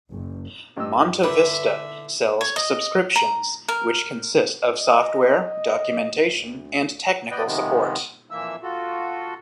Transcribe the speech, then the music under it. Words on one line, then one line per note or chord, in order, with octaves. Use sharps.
MontaVista sells "subscriptions", which consist of software, documentation, and technical support.
F#1
G2 D#5 E6
D3 E4 B4 E5
C#5
D#5
A#5
A#4
D#5
D2
D2 B3 B4 D5 D#5 G5
C3 D#3 F3 G#3 B3
F2 A#2 E3 A#3 E5 E6
F4 F#4 A4